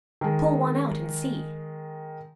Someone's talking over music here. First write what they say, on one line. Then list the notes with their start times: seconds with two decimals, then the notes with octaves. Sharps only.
"Pull one out and see!"
0.21 D#3 G#3